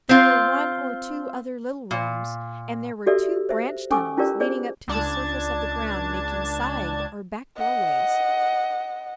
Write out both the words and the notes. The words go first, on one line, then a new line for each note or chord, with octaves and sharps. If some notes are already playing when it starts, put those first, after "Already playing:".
There were one or two other little rooms, and there were two branch tunnels leading up to the surface of the ground, making side or back doorways.
C4 F4
A#2
F#4 G4 A4 D5 E5 E6
C5 E5
C#4 A4 G#5 C#6 D6 E6
C#4 E4 F4 G4 A#4 D5
G#4 C5 D5
C#2 D4 A5 G#6
D#5 F#5